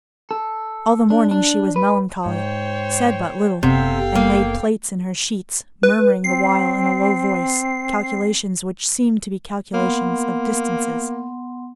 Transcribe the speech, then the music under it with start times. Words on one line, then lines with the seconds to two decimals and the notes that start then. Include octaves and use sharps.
All the morning she was melancholy, said but little, and laid plaits in her sheets, murmuring the while, in a low voice, calculations which seemed to be calculations of distances.
0.31 A4
1.10 D4
1.31 D4
1.76 B4
2.26 G#2 C5 C#5 G5
3.63 F#1 C3 B3 A4 F5 G5
4.15 A#3
5.83 B4
6.24 C4 C7
9.74 A#3 B3 F#5 C6